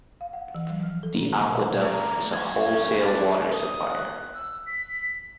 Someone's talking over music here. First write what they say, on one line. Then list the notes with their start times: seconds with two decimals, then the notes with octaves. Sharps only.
The Aqueduct is a wholesale water supplier.
0.21 F5
0.33 F#5
0.55 E3
0.70 F#3
0.83 F3
1.03 A4
1.16 A#2
1.30 D#3
1.50 B2
1.82 A3 A#4
2.33 F#4 G#5
3.00 B4 D5
3.54 D#6
3.94 F#6
4.35 E6
4.66 B6